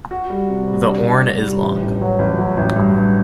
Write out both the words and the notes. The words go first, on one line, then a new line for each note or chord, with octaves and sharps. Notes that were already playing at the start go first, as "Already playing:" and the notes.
The Orne is long.
F#4
G3
C3
G3
D4
C3
D4
G3
A1
A1
F#3
A1
F#3
A1
G2
G2